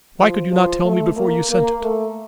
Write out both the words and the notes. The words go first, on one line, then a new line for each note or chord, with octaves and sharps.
Why could you not tell me before you sent it?
F3
F3
A3
A#3
A#3
A3